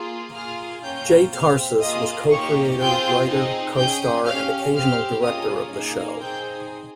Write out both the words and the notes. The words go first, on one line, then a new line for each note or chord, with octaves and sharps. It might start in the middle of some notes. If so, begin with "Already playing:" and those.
Jay Tarses was co-creator, writer, co-star and occasional director of the show.
Already playing: A#3 F4 G#4
A#3 F4 G#4 F5 F6
A#3 C#4 F4 G5 G6
C4 G4 F5 F6
A#3 F4 G#4 D#5 D#6
A#3 D#4 G4 C#5 C#6
C4 F4 G#4 G5 G6
C4 D#4 G#4
C#4 G#4 G5 G6
C#4 G4 F5 F6
C4 G4 F5 F6
A#3 C#4 F4 G#4 D#5 D#6
A#3 D#4 G#4
C4 D#4 G#4 G5 G6